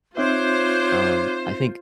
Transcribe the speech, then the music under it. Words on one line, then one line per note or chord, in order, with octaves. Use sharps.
Um, I think
C4 D#4 F4 C5 C#5 E5 D6 F#6